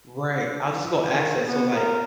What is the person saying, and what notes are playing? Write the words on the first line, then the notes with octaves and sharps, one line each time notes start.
Right, I was just gonna axe that, so, like,
D#3
B3
A#4